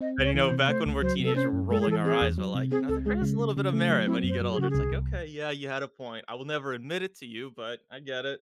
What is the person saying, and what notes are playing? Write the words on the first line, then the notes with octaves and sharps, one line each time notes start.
And, you know, back when we're teenagers, we're rolling our eyes but, like, you know, there is a little bit of merit when you get older, it's, like, "Okay, yeah, you had a point. I will never admit it to you, but I get it."
C4 D#5
C#2
C#5
E3
C#5
C5
C3
A3 C5
C#2
F#3 C5
C3 A4
C#4 C5
F#2
G#3 A4
G#4
E3 A4
C4 G#4
E2
F#3
C3
C4 G#4
C#2 A4
G#3 G#4
C#3
C#3
C#3
A3
F#3
C4 E4
F#2
C5
F#3
G#4
C#3 F#4
C2 G#4
C2